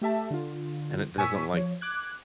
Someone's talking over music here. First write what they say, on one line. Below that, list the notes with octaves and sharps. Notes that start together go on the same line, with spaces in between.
And it doesn't, like,
A3 G4 E5 A5
D3 F4
A#2 G#5 C#6 E6 B6
F3 C#5
D6 F#6 G#6